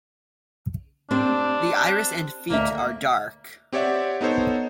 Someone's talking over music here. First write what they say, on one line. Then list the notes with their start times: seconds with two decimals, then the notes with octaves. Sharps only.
The iris and feet are dark.
1.11 C4 D4 G4
2.50 D2 A#3 E5
3.72 C4 G4 C#5 D5 E5 F#5
4.21 B3 D#4 A4 C5 C#5